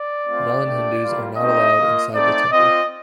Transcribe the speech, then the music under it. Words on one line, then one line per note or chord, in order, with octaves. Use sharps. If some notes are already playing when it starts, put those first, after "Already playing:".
Non-Hindus are not allowed inside the temple.
Already playing: D5
A3 C4 F4
A3 D4 G4
G3 A#3 F4
A3 C4 D#4 G4 D#5
A#3 F4
A3 C4 D#4 D5
C4 F4 D#5